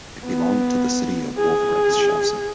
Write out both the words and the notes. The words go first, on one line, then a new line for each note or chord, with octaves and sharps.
It belonged to the city of Wolfratshausen.
B3
G#4